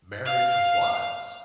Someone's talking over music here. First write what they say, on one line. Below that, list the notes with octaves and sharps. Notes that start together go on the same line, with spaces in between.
marriage was,
F5